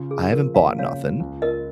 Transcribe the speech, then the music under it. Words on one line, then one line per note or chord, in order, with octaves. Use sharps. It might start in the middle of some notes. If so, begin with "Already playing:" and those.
I haven't bought nothing."
Already playing: C#3 F4
F4 G#4
F3 A#4
A#3 F5
C#3 C#5 F5
F4
C#2
F4 A#4 D#5